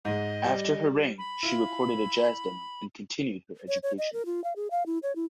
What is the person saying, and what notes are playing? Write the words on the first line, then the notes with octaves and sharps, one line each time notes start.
After her reign, she recorded a jazz demo and continued her education.
G#2 G#3 D#5
G3
B5
E4 F4
C#5
C#5
D#5
A#4
F4
F5
G#4
F5
E4
C#5
E4